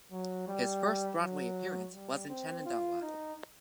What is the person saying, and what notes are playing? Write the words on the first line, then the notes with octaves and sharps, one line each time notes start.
His first Broadway appearance was in "Shenandoah".
F#3
G3
F#3
G3
C4
F4
D#4